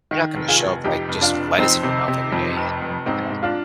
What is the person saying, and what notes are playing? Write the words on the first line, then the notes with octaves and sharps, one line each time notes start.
you're not gonna show up, like, just lettuce in your mouth every day and eat that.
D#3
F1
F4 G#4
F1
F2 D#4 G4
F1
D4 F4
F1
F2 C4 D#4
C3
C3
F2
F1
F1
G#2 C4 D#4
G#2
D4 F4